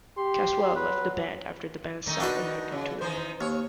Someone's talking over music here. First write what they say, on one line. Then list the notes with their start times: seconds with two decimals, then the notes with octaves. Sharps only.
Casswell left the band after the band's South American tour.
0.17 G4 C6
0.76 F#3 B4
2.06 D#3 A3 D#4
2.20 D4 F#4 B4
2.72 C#3
3.01 D#3 E3 C5
3.41 D#2 C#5